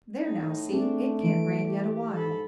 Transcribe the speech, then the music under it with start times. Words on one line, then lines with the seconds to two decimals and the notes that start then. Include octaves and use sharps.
"There, now, see, it can't rain yet awhile."
0.22 A2 D#4
0.71 A3 C4 D4 G#4
1.23 E3 D7
1.68 G4
2.14 G#2 A4 B5